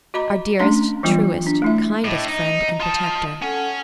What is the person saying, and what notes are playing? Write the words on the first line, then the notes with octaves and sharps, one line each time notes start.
Our dearest, truest, kindest friend and protector?
F#4 D#5 A#5 B5 D6
A3 C#4 D4 A#5 C6
E3 F#3 G3 B3 F4
D4
A3 E4 E5
A2 D#5 B5 D6
D#4 D#5 A#5
F4 A5 D#6
C#4 A4 F#5